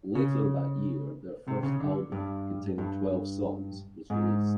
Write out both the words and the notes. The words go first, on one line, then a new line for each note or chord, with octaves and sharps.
Later that year their first album, containing twelve songs was released.
C#3
C3
C#3
D3
G2
G2
G#2